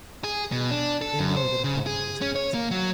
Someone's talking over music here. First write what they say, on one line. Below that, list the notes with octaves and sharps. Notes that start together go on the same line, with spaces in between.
They know that equality is impossible.
G#4
B2
D4
A4
F#2
C5
C#3
G#4
C#4
C#5
A#3
F#3